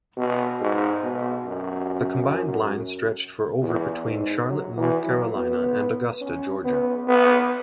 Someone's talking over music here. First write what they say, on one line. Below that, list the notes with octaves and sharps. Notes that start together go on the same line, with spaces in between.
The combined line stretched for over between Charlotte, North Carolina, and Augusta, Georgia.
B2
G#2
B2
F#2
E2
G#2
F#3
E3
F#3
B3
C#4
B3
B3